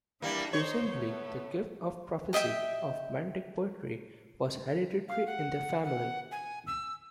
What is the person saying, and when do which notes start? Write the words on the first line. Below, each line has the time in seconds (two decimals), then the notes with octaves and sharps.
Presumably the gift of prophecy, of mantic poetry, was hereditary in their family.
0.22 E3 G3 A#3 D4 A#6
0.53 D#4 C5 C#5 G6
0.91 A3 B3
2.33 G4 D#5 E5 G5
5.08 F5
5.27 F#5
5.84 F#5
6.32 G#5
6.67 E6